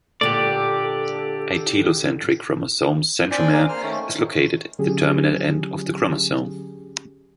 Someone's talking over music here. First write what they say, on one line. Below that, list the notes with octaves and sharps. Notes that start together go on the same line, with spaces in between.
A telocentric chromosome's centromere is located at the terminal end of the chromosome.
A#2 D3 G4 A4 D5
C4 D4 D5 G5 G#5
A#3 G#4 A#4 D5
A#3 C5 F6
D#3 A3 C#4
D3 F#3 C#4 G4 G#4